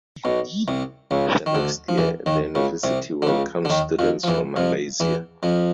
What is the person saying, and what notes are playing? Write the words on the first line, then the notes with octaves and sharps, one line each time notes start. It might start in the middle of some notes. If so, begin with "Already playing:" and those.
The next year, the university welcomed students from Malaysia.
B1 B2
C2 C3
C#2 C#3
D#3
D2 D3
F3
E2 E3
D#2 D#3
C#2 C#3
C2 C3
D3
C#2 C#3
D3
D#2 D#3
F2 F3
F3
E2 E3
F2 F3
E2 E3
F2 F3